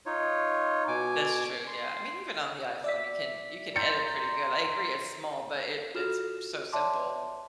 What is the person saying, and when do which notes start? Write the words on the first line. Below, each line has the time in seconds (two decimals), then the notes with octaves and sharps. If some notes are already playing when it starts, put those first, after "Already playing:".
That's true, yeah. I mean, even on the iPhone, you can you can edit pretty good, I agree, it's small, but it it's so simple.
0.06 D#4 F4 C#5
0.88 B2 G#5 D6
1.67 C6
2.84 D5 E5 B6
3.76 A#5 C6 G6 A6 C#7
5.95 F4 F#4 A4 F6 E7 F7
6.73 C#5 D5 E5 A5 C6 D6